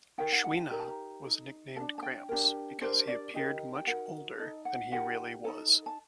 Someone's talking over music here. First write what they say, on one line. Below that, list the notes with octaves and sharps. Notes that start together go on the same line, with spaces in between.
Chouinard was nicknamed "Gramps" because he appeared much older than he really was.
D#4 G4 A#4 G5
F#5
F#5
G5
D#4 G4 A#4 A#5
A5
A#5
D#4 A4
D4 A4 A5
A5
G5
D4 G4 A#4
D4 G4 A#4 C5
D5
D#4 G4 A#4 D#5
G5
D#4 F#4 A#4 F#5
D#4 A4 D#5
F#5
D#4 G4 A#4 F#5
D#4 A4
A5